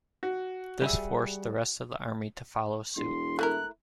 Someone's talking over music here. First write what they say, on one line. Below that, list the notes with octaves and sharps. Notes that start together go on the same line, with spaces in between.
This forced the rest of the army to follow suit.
F#4
G3 G#4 E5
E1 C6
A3 E4 A#4 F#6